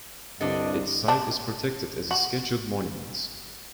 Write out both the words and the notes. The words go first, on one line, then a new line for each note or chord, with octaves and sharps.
Its site is protected as a Scheduled monument.
C2 G2 D3 D4 D#5
D4
F#4